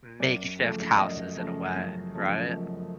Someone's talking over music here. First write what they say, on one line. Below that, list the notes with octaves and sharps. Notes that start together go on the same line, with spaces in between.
makeshift houses, in a way, right?
F#2 D5
C#3 F3 A3
F#2 D#5
C#3 F3 A3
F#2
C#3 F3 A3
F#2